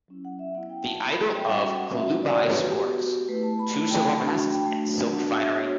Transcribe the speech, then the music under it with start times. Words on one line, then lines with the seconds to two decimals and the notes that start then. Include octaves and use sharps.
The idol of Kalubai sports two silver masks and silk finery.
0.08 F#3 C#4 E4
0.25 F#5
0.39 E5
0.55 B3 E4 F#5
0.70 G5
0.85 A5
1.00 B3 E4 B5
1.12 B5
1.23 B5
1.34 G5
1.46 G3 C#4 F#4 F#5
1.61 G5
1.76 F#5
1.91 G3 C#4 F#4 E5
2.06 F#5
2.22 D5
2.37 B3 F#4 C#5
2.52 B4
2.68 G4
2.83 B3 F#4
3.28 A3 E4 B4
3.43 A5
3.59 B5
3.73 A3 E4 A5
3.90 G5
4.05 A5
4.16 B5
4.19 A3 D4 F#4 C#6
4.35 A5
4.50 G5
4.65 A3 D4 F#4 A5
5.10 B3 D4 F#4 F#5
5.34 E5
5.56 B3 D4 F#4 C#5